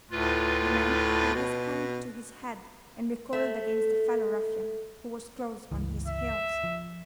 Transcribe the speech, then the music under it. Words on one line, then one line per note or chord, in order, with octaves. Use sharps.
The man put his hand to his head, and recoiled against a fellow-ruffian, who was close on his heels.
D2 A2 F4 B4
B2
A3 E5
G1 C#2 E3
E5
F3